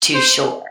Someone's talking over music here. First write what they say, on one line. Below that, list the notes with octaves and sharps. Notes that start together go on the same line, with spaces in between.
too sure,
C5